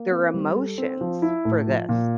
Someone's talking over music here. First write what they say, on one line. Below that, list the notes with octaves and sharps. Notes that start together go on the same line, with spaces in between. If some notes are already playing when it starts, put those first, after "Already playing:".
their emotions for this.
Already playing: A#3
C4
G3
A4
C4
F3
E4
A2
F3
A#2